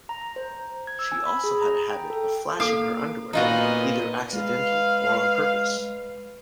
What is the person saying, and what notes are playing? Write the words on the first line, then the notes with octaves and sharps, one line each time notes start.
She also had a habit of flashing her underwear either accidentally or on purpose.
A#5
A#5
C5
G#6
E6
G#5
B5
G#4
A#5
G5
A4
A#3 A4 F5 D6
A#2 B3 D#4 F4 F#4 D#5
G#3 B4 F5